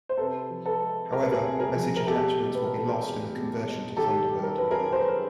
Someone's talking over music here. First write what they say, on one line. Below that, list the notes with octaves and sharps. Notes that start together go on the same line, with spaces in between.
However, message attachments will be lost in the conversion to Thunderbird.
C5
C3 A4 B4
F3
A4 B4
G#3
C#2 A#4
B4
G#4 A#4
C3
G#4 A#4
F3
A#4
B2 G4 A4
G#3
B4
E2 A#4
A4
G#4 A#4
E2
B2
G#3
D#3 G4 A4
G3
A#4
F#2 B4
G#4 A#4
F#2 C5
B4
A#4